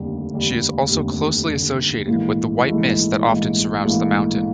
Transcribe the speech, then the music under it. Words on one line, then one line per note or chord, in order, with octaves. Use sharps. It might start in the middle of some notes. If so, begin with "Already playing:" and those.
She is also closely associated with the white mist that often surrounds the mountain.
Already playing: F1 D#2 D3 G3
F1 D#2 D3 G3
F1 D#2 D3 G3
F1 D#2 D3 G3
A#1 G#2 E3 A3
A#1 G#2 E3 A3
A#1 G#2 E3 A3
A#1 G#2 E3 A3